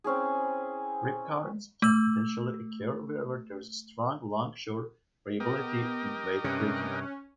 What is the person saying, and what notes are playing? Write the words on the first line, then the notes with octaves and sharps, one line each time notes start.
Rip currents can potentially occur wherever there is strong longshore variability in wave breaking.
C4 C#4 E4 G#4
A3 E6
B3 G4 A#4 D#5
G2 C3 C#4 F#6